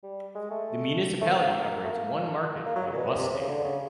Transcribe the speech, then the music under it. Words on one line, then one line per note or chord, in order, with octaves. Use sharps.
The municipality operates one market and a bus stand.
G3
G#3
A3
A3
A#3
A3
A#3
A#3
F#3
C#3
A#2
B2
A#2
C3
C#3
D3
C#3